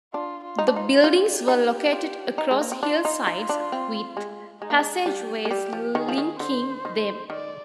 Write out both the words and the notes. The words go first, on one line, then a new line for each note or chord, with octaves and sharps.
The buildings were located across hillsides, with passageways linking them.
D4 F4
F4
D#4
D4
D#4 F4
F4 G4
D#4
F4
D#4
G#3
A#3
C4
D4 F4
D#4
D#4
D4
C4
G#3
G#3 D#4
A#3
G#3
G3 G4
G#3
G3 G4
F3
D#3 G#4
F3
D#3
D3 C5
D#3
D#3 D5